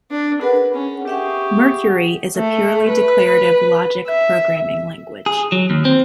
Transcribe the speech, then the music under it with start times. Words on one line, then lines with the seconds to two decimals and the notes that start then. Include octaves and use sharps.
Mercury is a purely declarative logic programming language.
0.11 D4
0.41 G#4 A#4 B4 F#5
0.74 C#4
1.08 G4 G#4 E5 F#5 C#6
2.37 A3
2.89 B4
4.08 E5
5.26 G#4
5.52 F#3
5.70 D#2
5.85 C4